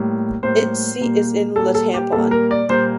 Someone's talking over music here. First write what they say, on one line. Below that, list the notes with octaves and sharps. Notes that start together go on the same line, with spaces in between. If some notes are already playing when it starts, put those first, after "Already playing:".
Its seat is in Le Tampon.
Already playing: A2 G3 A#3
A2 G3 A#3 C5
A#2 G3 A#3
A#2 G3 A#3 A4
A4
G4
A#2 G3 A#3 A4
A#4
D5
A#2 G3 A#3 C5